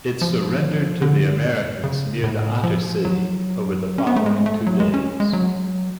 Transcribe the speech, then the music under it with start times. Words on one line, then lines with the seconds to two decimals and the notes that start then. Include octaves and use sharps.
It surrendered to the Americans near the Attersee over the following two days.
0.21 F3
1.02 D3
1.84 C#3
2.24 A2
2.64 F3
3.05 F#3
3.98 C#4
4.07 B3
4.16 A3
4.26 G#3
4.46 A3
4.66 F#3
4.80 G#3
4.94 C#4
5.20 G#3
5.33 F#3